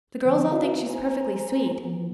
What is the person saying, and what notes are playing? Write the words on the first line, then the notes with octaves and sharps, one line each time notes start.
The girls all think she is perfectly sweet.
D3 F3 C4
D#4 E4 F#4 B4 E5 F5
C5 G#5 A#5
E3 F3 B3